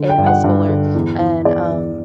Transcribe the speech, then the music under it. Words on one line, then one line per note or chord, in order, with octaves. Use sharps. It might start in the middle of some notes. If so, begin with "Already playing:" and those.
a high schooler, and, um,
Already playing: D3
G5
G2
F#5
G2
D3
E2
E3
E2 D5
E2